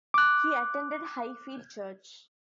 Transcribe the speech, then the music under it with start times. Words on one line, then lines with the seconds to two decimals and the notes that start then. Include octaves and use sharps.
He attended Highfield Church.
0.14 D6 F#6